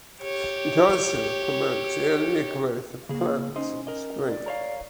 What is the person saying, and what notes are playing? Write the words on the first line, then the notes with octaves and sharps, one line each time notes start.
It also promotes earlier growth of plants in Spring.
G4 C#5
C#3 A#3 G#4
C#4 D#4 C5 D#5
A#4 D#5
D5
A#4 C#5 F5